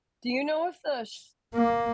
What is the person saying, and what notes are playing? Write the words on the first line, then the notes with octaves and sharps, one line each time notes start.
Do you know if the sh
A#3